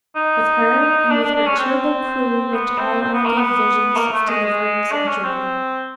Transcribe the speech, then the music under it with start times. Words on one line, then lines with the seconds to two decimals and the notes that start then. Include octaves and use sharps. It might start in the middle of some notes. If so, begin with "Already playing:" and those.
With her and with her terrible crew went all our gay visions of deliverance and joy.
0.16 D#4
1.11 D4
1.23 D4
1.35 D4
1.47 C#4
1.59 C4
2.54 B3
2.78 C4
3.02 C4
3.14 B3
3.26 A#3
3.38 B3
3.97 A#3
4.13 A3
4.29 G#3
4.44 G#3
4.92 D4
5.07 C#4
5.24 C4